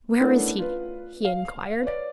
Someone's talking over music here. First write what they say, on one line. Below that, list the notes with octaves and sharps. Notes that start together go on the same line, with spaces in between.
"Where is he?" he inquired.
A3 B3 C#4 D4 E4 A#4
F4 B4
F5
B4 C#5 D5